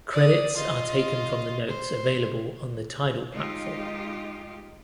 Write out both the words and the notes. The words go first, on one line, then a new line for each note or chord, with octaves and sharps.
Credits are taken from the notes available on the Tidal platform.
D5 D#6
F4 D#5
C5
G#3 D#4 F4 G4